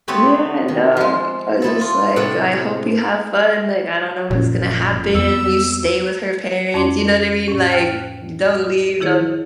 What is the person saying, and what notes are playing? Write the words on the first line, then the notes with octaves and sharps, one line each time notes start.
Yeah, no, I was just like, "Oh, I hope you have fun, like, I don't know what's gonna happen. You stay with her parents." You know what I mean? Like, "D don't leave, don't
A3 B3 C4 G4 B4 C#5
D#3
F3 G#3
B3 E4 A4
F4
A2 C3 A4 F#5
F#1 A#2 F3 C#4
F2 G3 B3 E6
F2 C#4 D5 C6 D6
A2 C#4
G5 A5 F6 F#6
D#3 E4 G#4 C#5